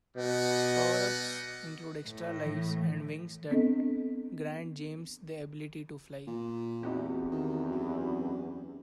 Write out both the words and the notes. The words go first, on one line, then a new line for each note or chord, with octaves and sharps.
Power-ups include extra lives and wings that grant James the ability to fly.
B2 G3 D#5 F#5
A2
E3
B3 C4 D4 A4 D#5
A#2
E2 C4 D#4 F#4 G4
D#3
F#2